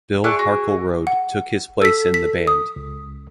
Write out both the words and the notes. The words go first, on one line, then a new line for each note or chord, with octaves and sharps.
Bill Harkleroad took his place in the band.
A3 G#4 D5 F#6
F#4
F#5
A4 E6 B6
B6
D#6
C#2